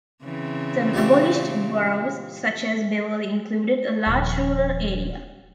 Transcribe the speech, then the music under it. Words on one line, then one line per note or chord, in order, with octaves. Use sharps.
Some abolished boroughs such as Beverley included a large rural area.
C#3 E3 C4
A#2 G4 C#6
D#1 F3